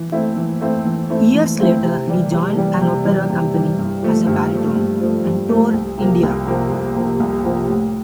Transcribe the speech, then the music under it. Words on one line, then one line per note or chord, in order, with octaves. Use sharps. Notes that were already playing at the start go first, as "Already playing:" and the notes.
Years later he joined an opera company as a baritone, and toured India.
Already playing: E3
A3 C4 E4
E3
A3 C4 E4
E3
A3 C4 E4
E3
A3 C4 E4
C3
E3 G3
C3
E3 G3
C3
E3 G3
C3
E3 G3
G2
F3 A3
G2
F3 A3
G2
F3 A3
G2
F3 A3
C2
C3 F3 A#3
C2
C3 F3 A#3
C2
C3 F3 A#3
C2
C3 F3 A#3
A2